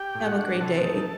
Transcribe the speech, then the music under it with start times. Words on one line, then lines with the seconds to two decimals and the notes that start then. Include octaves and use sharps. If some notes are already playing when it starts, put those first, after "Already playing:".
have a great day
Already playing: G4 G5
0.15 A2
0.26 F#4 F#5
0.38 D4
0.61 C3 A4 A5
0.83 D#4